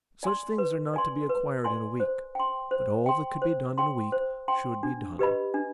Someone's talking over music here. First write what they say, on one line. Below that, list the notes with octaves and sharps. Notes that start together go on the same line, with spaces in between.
Such things are not to be acquired in a week, but all that could be done in a week should be done.
D5 G#5 C6
B4
D5 G#5 C6
B4
D5 G#5 C6
C5
G5 C6
C5
G5 C6
C5
G5 C6
C5
G5 C6
D4
G4 B4 D#5 B5
D4